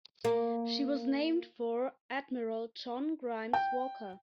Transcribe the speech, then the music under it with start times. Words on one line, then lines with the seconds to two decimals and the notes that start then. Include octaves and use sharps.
She was named for Admiral John Grimes Walker.
0.25 A#3
3.53 G5